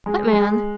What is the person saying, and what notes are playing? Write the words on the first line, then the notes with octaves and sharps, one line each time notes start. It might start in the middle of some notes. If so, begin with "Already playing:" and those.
"What man?"
G#3
G#3